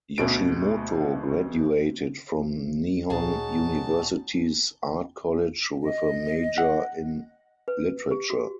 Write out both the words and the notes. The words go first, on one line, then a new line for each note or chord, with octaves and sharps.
Yoshimoto graduated from Nihon University's Art College with a major in literature.
D2 B2 F#4 B4 D7
D2 A#2 C#4 D#4 F#4 G#4 A5
D#5
F#5
B4
G4
F#4